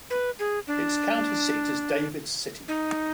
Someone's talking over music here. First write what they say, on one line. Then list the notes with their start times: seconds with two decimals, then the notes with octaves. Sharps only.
Its county seat is David City.
0.10 B4
0.39 G#4
0.67 D4
2.68 D#4